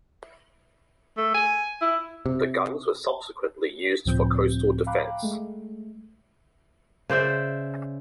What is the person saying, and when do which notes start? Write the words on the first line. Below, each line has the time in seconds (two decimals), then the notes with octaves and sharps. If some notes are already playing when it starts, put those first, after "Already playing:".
The guns were subsequently used for coastal defence.
1.17 A3
1.34 G#5
1.81 E4
2.26 C3
4.05 C#2 A2 F3 C4 G6
4.86 F5 G5 A#5 B5 D6 F#6
5.22 G#3 A3
7.09 C#3 C5 D5 E5